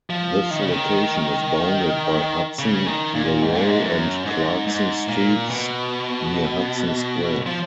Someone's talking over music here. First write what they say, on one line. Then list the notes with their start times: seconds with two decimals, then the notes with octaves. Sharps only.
This location is bounded by Hudson, Leroy and Clarkson Streets near Hudson Square.
0.10 F3
0.51 D#3
0.61 C#3
0.72 D#3
2.59 C#3
2.86 D#3
3.14 A#2
3.42 G#2
3.55 A#2
3.67 G#2
3.84 F#2
4.25 G#2
4.67 G#2
5.09 A#2
5.50 B2
7.46 F3